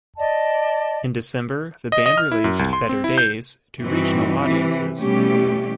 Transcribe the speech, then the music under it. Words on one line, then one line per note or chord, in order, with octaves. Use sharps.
In December the band released "Better Days" to regional audiences.
D5 D#5 A5
D#5
D#5
F6
E4
F#2
C2
C6
C4
E4
G6
G2 E3 C4 D#4 F#4
C3 E3
B2 E3 G3 A3 C#4 G4